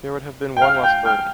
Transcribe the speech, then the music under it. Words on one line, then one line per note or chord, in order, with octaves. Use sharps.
There would have been one less burden.
G5
F5 F6
G5 G6
G5 F6